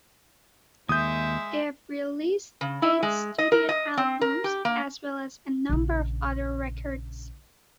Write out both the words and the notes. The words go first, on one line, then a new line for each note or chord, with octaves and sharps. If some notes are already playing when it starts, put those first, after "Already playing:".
They have released eight studio albums, as well as a number of other records.
D#2 G#3 E5 D#6 G6
C#3
E4
G#3
D#5
A#4
D#5
C4
A#4
G4
A#3
A#1 C#3